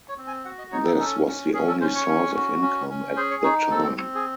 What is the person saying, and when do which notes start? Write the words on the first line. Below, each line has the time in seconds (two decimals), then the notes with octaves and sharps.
This was the only source of income at the time.
0.09 C#5
0.18 C4
0.27 G#5
0.45 F#4 F#5
0.58 D#5
0.72 D#4 C#5
0.86 A4
0.99 C#4 A4
1.27 C#4
1.54 C#4 G#4
1.68 A4
1.81 C#4 C5
1.95 C#5
2.08 C#4
2.35 F#4
2.62 C#4
2.90 C#4
3.16 G#4 C5
3.31 C#5
3.43 D#4 C#5
3.71 C4 A4
3.97 C4
4.15 G#4